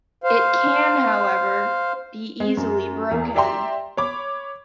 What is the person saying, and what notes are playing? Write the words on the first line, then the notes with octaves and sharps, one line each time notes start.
It can, however, be easily broken.
C5 F5
G#3
F#2
E2
G4 D5 E5 G5 A#5 C6
C#5 B5 D6